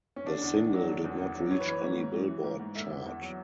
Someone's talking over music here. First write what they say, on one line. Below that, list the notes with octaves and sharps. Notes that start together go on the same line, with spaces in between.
The single did not reach any Billboard chart.
C#4
D3 D4
E2
E2
F#3
D3
E2
E2
F#3
E3 C#5
B4
E3 C#5
G#2
G#2
E3
E3
G#2
G#2
D3 E5
E2
E2
F#3